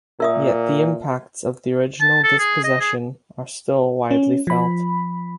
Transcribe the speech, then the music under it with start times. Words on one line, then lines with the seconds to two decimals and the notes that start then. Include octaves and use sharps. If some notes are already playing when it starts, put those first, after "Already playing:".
Yet the impacts of the original dispossession are still widely felt.
0.20 A#2 A#4 E5 D#6
2.01 A5
2.24 A4
2.39 G#4
2.64 D#5
2.80 G#4
4.11 C#4
4.47 F3 B5